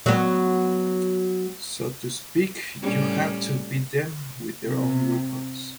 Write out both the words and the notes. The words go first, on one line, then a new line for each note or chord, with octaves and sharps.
So to speak, you have to beat them with their own weapons.
F#3 B3
A2 G3 C#4
C3